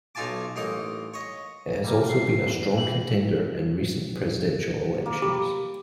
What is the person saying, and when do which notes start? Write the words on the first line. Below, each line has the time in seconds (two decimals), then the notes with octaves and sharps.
It has also been a strong contender in recent presidential elections.
0.15 B1 D#4 F4 G#5 A5 D6
0.56 A1 A#3 D#4 D#5 D#6
1.14 C#5 D#5
1.84 G3 A3 A#3
2.09 C7
2.48 E2
2.77 E3 G5 F#7
5.06 A#3
5.22 G4 B5